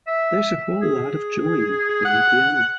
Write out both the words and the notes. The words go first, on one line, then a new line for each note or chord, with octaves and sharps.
There is a whole lot of joy in playing piano.
E5
G#4
F#5